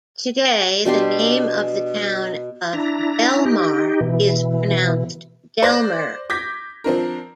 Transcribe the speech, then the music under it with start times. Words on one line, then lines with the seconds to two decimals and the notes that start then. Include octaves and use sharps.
Today, the name of the town of Delmar is pronounced Delmer.
0.85 B2 D4 G4 C6
2.73 D4 E4 A#5
3.46 D#4 G4
4.01 B2 E3
5.62 C5 D5 F#6 A#6
6.30 D6 G6 G#6 A#6 B6
6.84 F3 C4 D4 A#4